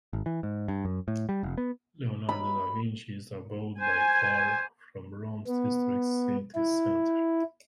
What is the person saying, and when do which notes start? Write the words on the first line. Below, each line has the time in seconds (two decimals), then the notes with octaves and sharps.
Leonardo da Vinci is about by car from Rome's historic city centre.
0.13 G#1
0.26 E3
0.43 G#2
0.68 G2
0.85 F#2
1.08 A2
1.29 G3
1.43 F1
1.58 B3
2.29 B5
3.80 C5 G#5
5.47 B3
6.55 E4